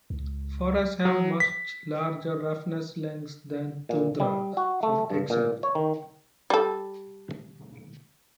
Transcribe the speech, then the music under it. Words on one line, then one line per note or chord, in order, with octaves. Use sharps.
Forests have much larger roughness lengths than tundra, for example.
C#2
F#3
B6
A#2
G3
F#4
A3
G2
A#2
C#5
D#3
G3 A4